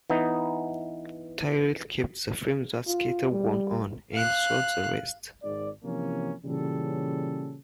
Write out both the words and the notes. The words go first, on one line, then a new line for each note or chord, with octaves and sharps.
Tyrrell kept the frame that Scheckter won on, and sold the rest.
E3 B3 D#4
F4
G3
F5 F#6
G#1 D5
C3 E3 F3 A#3 C#4
A#2 C#3 E3 G3 C#4 A4